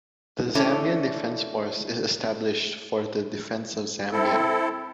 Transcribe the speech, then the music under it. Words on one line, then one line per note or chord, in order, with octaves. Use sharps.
The Zambian Defence Force is established for the defence of Zambia.
E3 A3 C#4 D4
C4 E4 A4